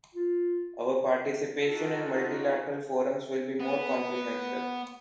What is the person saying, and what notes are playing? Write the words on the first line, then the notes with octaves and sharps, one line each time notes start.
Our participation in multilateral forums will be more comprehensive.
F4
D#4 F4 F#4 A4
B3